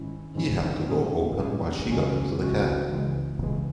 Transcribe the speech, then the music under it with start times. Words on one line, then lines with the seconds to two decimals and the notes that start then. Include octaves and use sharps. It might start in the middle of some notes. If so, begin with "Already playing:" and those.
He held the door open while she got into the cab.
Already playing: G#2 D#3 G#3 C#4 E4
0.35 G#2 D#3 G#3 C#4 E4
0.87 A#2 G#3 C#4 G#4
1.38 A#2 G#3 C#4 G#4
1.89 C#2 C#3 G#3 C#4 F#4
2.41 C#2 C#3 G#3 C#4 F#4
2.92 C#2 C#3 E3 G#3
3.43 C#2 C#3 E3 G#3